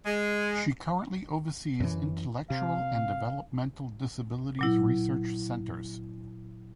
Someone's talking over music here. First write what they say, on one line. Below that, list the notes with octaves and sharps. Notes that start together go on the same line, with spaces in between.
She currently oversees Intellectual and Developmental Disabilities Research Centers.
G#3
F#2 E3
C3 F5
A#2 F#3 E4